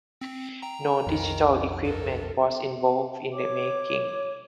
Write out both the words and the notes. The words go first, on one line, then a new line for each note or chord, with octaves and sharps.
No digital equipment was involved in the making.
C4
G5 A#5
B1 F2 D#3
G2 A4 A#4
C#5 D6